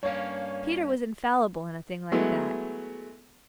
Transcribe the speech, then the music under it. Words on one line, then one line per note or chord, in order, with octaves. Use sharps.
Peter was infallible in a thing like that.
G2 A#3 C#4 C#5 F5
F#3 G#3 A3 B3 E4